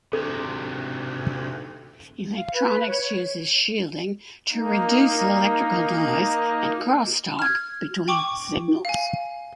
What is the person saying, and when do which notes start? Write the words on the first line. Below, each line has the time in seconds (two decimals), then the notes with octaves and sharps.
Electronics uses shielding to reduce electrical noise and crosstalk between signals.
0.13 D2 C3 D#3 A4
2.35 F5
2.53 B4
2.85 C#5
4.52 A#3 D#4
7.39 F6 G#6
8.08 G5 C#6 D6
8.85 F5 G#5